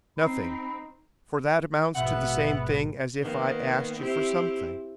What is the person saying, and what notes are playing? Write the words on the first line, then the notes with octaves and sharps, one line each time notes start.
"Nothing; for that amounts to the same thing as if I asked you for something."
C4 D#4 B5
A1 G#2 B2 B3 E5 F#5
D#3 A#3 B3
C4 E4 G4